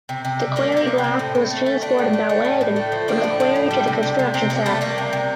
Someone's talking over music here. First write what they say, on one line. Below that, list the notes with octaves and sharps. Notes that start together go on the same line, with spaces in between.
The quarried rock was transported by wagon from the quarry to the construction site.
C3
C3
G3
G3 A#3
C3 A#3
G3
C4
C3
A2
A2
A3
A3
A3 D4
A2
A3
A3
A2
A2
A3
F3
F3 D4
A2
F3
A2
G3
C3
C3
C3
C3 C4
C3 A#3
G3 A3
G3 A#3
C3
C3